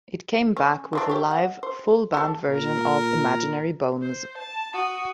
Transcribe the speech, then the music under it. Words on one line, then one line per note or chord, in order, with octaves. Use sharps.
It cames backed with a live full-band version of 'Imaginary Bones'.
C#4
E3 G#3 D4
G4 C#5
D#5 F#5
C5
A4 A5
A#2 A#4
C5
A5
F#4 D#6